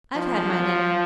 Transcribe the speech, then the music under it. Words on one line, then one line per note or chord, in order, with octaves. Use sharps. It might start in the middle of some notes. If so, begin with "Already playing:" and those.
I've had my dinner.'
F3